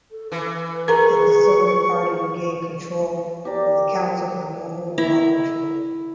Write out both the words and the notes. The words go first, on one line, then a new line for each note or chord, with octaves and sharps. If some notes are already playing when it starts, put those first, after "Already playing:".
The Conservative Party regained control of the council from no overall control.
A4
E3 B4
G#4 A#4 A#5 C#6
G4 A#4 D5
E4